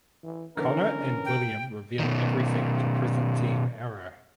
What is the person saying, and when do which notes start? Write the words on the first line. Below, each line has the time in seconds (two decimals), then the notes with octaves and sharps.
Connor and William reveal everything to Present Team Arrow.
0.23 E3
0.57 D3 E3 B3 C#4 A#4
1.25 G5
1.99 B2 D#3